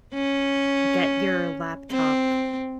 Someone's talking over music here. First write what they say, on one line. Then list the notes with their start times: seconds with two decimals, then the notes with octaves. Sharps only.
get your laptop
0.14 C#4
1.91 C4